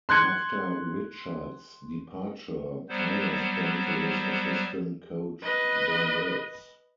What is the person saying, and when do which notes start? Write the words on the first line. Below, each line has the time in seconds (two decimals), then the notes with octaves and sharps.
After Richards' departure Tigers turned to his assistant coach John Wells.
0.09 C6 F#6 G#6 C#7
2.89 F#3 G3 B3 C5
5.43 B4 D#5